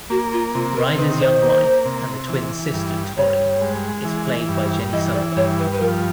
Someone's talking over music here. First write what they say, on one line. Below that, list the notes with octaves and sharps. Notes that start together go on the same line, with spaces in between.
Rider's young wife and the twins' sister, Torrie, is played by Jenny Sullivan.
A#3 F#4
F4
C3 F4
A#4
D#3 B4
C5
A#3
C3
E3
G2
G2 C#5
G#3
E3
G2
E3 D#5
D5
G2 C#5
B4
B4
F3 A#4